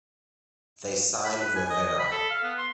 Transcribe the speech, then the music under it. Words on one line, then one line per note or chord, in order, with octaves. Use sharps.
They signed Rivera.
B5
B4
G#5
D#5
D#5
B5
A4
F5
B3
C6